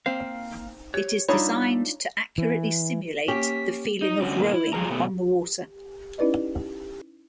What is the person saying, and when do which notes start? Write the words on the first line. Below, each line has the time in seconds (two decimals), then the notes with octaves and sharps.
It is designed to accurately simulate the feeling of rowing on the water.
0.06 A#3 C4 F5
0.94 G4 C#5
1.28 G3 A3 D4 D#4 F4 C#5 A#5 B5
2.38 E3
3.28 A#3 C#4 G4 B6
4.02 D#4
4.22 D3 G3 C#4 F#4
4.40 G#2 B2 E3 A#3
4.54 E4
4.73 F#3 G3 F4 G#4 B4 A#5
4.90 B2 A3 B3
6.18 C#4 D#4 E4 B4 D5 D#5